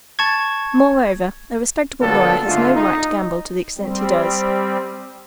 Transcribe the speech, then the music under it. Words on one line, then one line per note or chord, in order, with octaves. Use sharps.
Moreover, a respectable lawyer has no right to gamble to the extent he does.
A5 C#6 G#6
A#2 D3 F#3 G3 B3 A4
G#2 D3 A3 F4
D#4
G3 C4